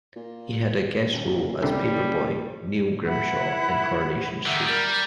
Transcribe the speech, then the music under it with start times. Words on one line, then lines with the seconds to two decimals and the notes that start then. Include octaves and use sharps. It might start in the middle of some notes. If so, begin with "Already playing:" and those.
He had a guest role as paperboy Neil Grimshaw in "Coronation Street".
0.16 A#2
1.12 D#1
1.62 F#1 C2 D3 G3
3.06 E4 F#5 B5
4.46 D3 D#3 E5 F#5
4.66 G3 A#4